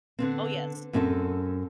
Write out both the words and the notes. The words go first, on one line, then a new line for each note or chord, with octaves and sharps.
Oh, yes.
D3 B3 C4
F#2 C4 C#4 G4 A4